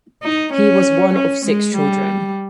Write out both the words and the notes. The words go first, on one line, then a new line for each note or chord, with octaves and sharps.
He was one of six children.
D#4
C#4
C#4
G#3
G3